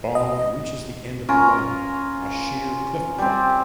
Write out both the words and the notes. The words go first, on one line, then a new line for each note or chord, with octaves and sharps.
Bond reaches the end of the run - a sheer cliff drop.
D#5
C#4 F4 A#4
G3 C4